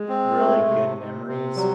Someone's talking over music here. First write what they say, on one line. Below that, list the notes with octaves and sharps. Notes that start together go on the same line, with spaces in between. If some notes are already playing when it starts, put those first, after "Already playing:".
really good memories,
Already playing: G#3
C4
A3
C3
C3
C3
F#3 G3